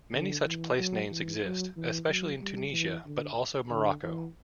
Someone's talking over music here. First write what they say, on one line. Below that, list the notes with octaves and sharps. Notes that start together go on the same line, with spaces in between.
Many such place names exist, especially in Tunisia, but also Morocco.
D3
E3
F#3
E3
F#3
E3
F#3
G3
E3
D3
D3
E3